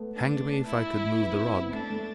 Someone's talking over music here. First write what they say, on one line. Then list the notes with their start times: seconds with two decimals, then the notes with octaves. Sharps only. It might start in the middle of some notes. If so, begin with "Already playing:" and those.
Hang me, if I could move the rod!
Already playing: A3 B3
0.14 D4
0.66 E4
1.19 B3
1.33 C4
1.47 B3
1.72 A3 D4
1.90 A3